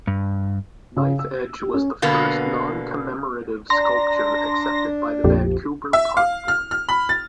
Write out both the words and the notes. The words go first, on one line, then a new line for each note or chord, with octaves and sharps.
Knife Edge was the first non-commemorative sculpture accepted by the Vancouver Park Board.
G2
C#3
E6
G4
C#4
B2 D3 A#3 B3
D4 A#5 C6 A#6
A#1 F2 G4
E5
F5
F6
F6
B5
A6